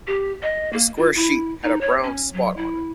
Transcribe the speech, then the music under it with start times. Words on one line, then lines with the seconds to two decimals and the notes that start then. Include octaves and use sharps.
The square sheet had a brown spot on it.
0.07 G4
0.42 D#5
0.73 A#3
0.97 F4
1.16 E4
1.63 D#4
1.81 C#5
2.03 C#4
2.33 F#3
2.57 E4